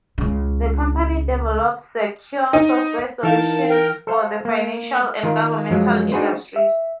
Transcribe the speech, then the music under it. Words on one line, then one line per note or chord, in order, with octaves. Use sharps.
The company develops secure software solutions for the financial and governmental industries.
C#2 C#3
D#4
E3 D#4 A#4 F5 A5
A#4 G5
A4 C5 F5
A#3
D#3 F4 A#4
F#2 F3 F#3 G#3
D4 D#4 F#4 G#4 B4 C5
E5